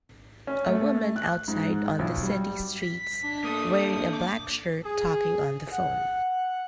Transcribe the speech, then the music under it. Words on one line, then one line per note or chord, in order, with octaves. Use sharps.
A woman outside on the city streets wearing a black shirt talking on the phone.
C#4
A3
F#6
G#2
B1
G3
B6
D4
A#3 A4 D#6
D6
G#4
F#5